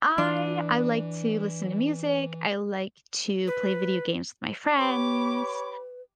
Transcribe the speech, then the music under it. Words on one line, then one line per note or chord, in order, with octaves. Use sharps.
I I like to listen to music. I like to play video games with my friends.
E3 D4
B4
G4 B4 C#5 B5 D6